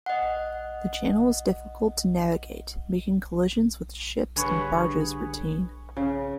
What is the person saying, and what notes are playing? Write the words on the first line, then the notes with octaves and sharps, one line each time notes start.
The channel was difficult to navigate, making collisions with ships and barges routine.
D#5 F#5
G2 D3 G#4 B4 C#5
C#3